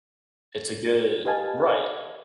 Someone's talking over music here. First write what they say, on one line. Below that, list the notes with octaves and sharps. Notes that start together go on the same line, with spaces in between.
it's a good right.
G4 B4 D#5 F5 G#5 A5